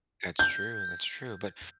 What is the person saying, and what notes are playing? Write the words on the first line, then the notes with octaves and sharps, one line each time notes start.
That’s true, that's true, but
G6